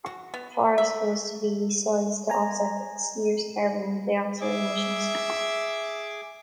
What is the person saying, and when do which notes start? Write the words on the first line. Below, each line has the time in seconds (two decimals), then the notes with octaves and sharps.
The forest was to be sized to offset the year's carbon dioxide emissions.
0.06 F#4
0.34 B3
0.78 E5
2.30 G#5 A#5
4.41 G#4 E5 D6